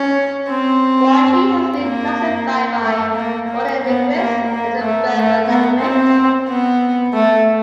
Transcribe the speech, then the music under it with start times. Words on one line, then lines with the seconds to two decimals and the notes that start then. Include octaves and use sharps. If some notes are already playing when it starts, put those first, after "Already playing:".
Guanche has been classified by modern linguists as a Berber language.
Already playing: C#4
0.49 C4
1.83 A#3
2.83 A3
3.16 A#3
3.49 A#3
3.83 B3
4.15 A#3
4.49 A#3
4.81 A3
5.15 A3
5.48 B3
5.81 C4
6.48 B3
7.13 A3